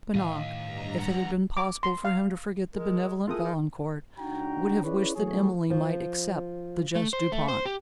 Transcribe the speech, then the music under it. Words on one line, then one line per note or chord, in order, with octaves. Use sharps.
Bonnac, if it had been possible for him to forget the benevolent Valancourt, would have wished that Emily might accept the just Du Pont.
A2 D#3 D#5 F5
G2 A#5
C#3 F#5
D6
C6
F5
G#3 A#4
A2 F4 G#4 A#4 D#6
D#3
C#2 D4 D#4 F#4 G5 A#5
C#4 E4 G#4 B4 C#5 D5
E3 F#3 A3 G#4 C#5
F3
A3
C5
A3
C5
G4